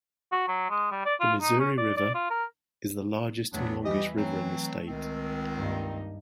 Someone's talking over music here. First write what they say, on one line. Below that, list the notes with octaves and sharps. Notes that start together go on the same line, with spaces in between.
The Missouri River is the largest and longest river in the state.
F#4
F#3
G#3
G3
D5
F4
D#4
C#4
D5
D5
F4
A#4
E2 A2 F#3 B3 D4
E3 G3 G4 D#5
E3 F#3 A3 C4
C#2 D#3 C4
G2 A#3 D#4